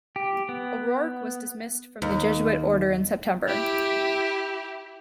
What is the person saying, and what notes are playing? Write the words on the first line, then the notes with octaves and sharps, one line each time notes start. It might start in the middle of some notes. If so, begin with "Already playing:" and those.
O'Rourke was dismissed from the Jesuit Order in September.
G4
B3
D#2
E4 G4